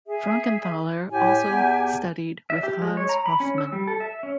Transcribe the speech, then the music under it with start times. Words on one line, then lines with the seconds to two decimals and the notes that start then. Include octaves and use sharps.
Frankenthaler also studied with Hans Hofmann.
0.07 G#4 E5
1.11 A2 G4 G#5
1.44 E2
2.50 E5
2.63 G4
2.81 G#3
2.97 C#5
3.09 A#5
3.26 B5
3.40 C#4
3.58 E6
3.72 G3
3.88 A4
4.00 E5
4.23 C#4